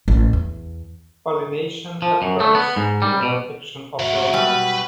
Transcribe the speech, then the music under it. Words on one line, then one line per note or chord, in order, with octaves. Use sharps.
Pollination occurs through the action of rodents.
A1
E2
F3
F#2
A3
B3
G#2
G3
B2
D2 G#2 F#4 E5
B2 F#3 G3 B4